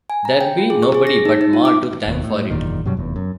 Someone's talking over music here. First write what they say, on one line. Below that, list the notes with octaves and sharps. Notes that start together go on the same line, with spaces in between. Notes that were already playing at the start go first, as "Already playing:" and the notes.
There'll he nobody but Ma to thank for it.
G#5
A#5
G5
F4
G#4
C#6
G#4
A#6
D#4
D#4
F4
D6
F1 D#2 B2
A2
F#1 E2 A#2 D#3
F#2 B2 F#3 G3
F1 E2
F#2